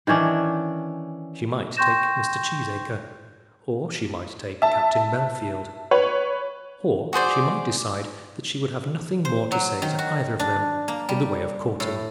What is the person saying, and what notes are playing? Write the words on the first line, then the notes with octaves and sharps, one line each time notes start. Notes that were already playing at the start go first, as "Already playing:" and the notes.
She might take Mr. Cheesacre, or she might take Captain Bellfield--or she might decide that she would have nothing more to say to either of them in the way of courting.
D#3 E3 C#4 D4
G5 C6 C#6 G6 A#6 E7
E5 A5
B4 C#5
F#4 G#4 C5 D5
C5
F#3
D#3
F#4
D4
A#3
G3
A2